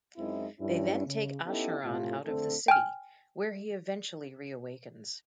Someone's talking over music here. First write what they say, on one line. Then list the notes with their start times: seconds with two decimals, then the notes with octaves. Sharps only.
They then take Acheron out of the city, where he eventually reawakens.
0.17 F#2 G#3 C4 D#4 E4
0.60 G2 C#4 E4
1.06 C#3
1.46 B3 C#4 D#4 E4 G4 A4
1.84 A2 C3 F4
2.25 F2 D3 A3 C4 D4 A4
2.68 G5 G#5 F6